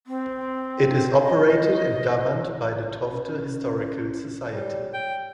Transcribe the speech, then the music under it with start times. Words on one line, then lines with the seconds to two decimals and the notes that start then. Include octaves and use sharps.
It is operated and governed by the Tofte Historical Society.
0.07 C4
1.23 D#5
3.12 C#4
4.53 G3 C#5
4.94 G5